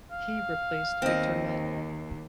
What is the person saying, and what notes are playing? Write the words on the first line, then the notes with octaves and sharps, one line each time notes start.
He replaced Victor Mutt.
F5
D#2 C4 D#5